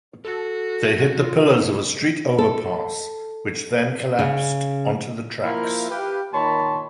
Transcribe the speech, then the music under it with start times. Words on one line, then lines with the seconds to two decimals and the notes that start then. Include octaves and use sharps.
They hit the pillars of a street overpass, which then collapsed onto the tracks.
0.25 F#4 A4
1.20 F4
2.38 A4
4.19 C#3
5.43 F3 A#3 E4 A#4 E5 F5
5.90 G4 B4 F5
6.32 A#2 D#3 C#5 A5 B5 C6